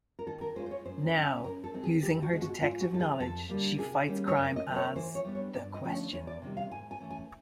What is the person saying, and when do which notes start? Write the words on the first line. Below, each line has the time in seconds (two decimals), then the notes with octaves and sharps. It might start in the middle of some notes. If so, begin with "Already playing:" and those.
Now, using her detective knowledge, she fights crime as "The Question".
0.19 A#4
0.27 D#3 A4
0.41 A#4
0.56 G#3 C#4 F4 C5
0.66 C5
0.71 C#5
0.85 F#2 C5
1.14 C#3 F#3
1.37 B4
1.44 F#2 A#4
1.64 A4
1.73 D#3 G#3 C4
1.83 G#4
2.03 E2 G4
2.22 F#4
2.32 B2 G#3
2.42 F#4
2.61 G#2 F4
2.81 F#4
2.91 F3 G#3 A4
3.00 G#4
3.20 F2 A4
3.49 D3 G3 A#3
3.78 C3 G#4
4.08 D#3 G3 A#3 C#4
4.28 C#5
4.37 F#2 D5
4.56 D#5
4.67 D3 F#3 A#3
4.76 C#5
4.96 E3 C5
5.15 C#5
5.25 G3 B3 D4
5.35 C#5
5.54 G2 D5
5.74 D#5
5.83 D3 F3 A3 C#4
5.93 C#5
6.13 E2 C#5
6.27 D5
6.42 C3 D#3 G3
6.57 F5
6.71 G#2 G#5
6.91 G#5
7.00 E3 A3 C#4
7.10 G#5